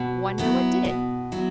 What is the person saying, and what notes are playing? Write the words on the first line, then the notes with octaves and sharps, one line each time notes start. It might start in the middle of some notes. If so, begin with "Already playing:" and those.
"Wonder what did it?"
Already playing: B2
F#3 B3 E4
B2
F#3 B3 E4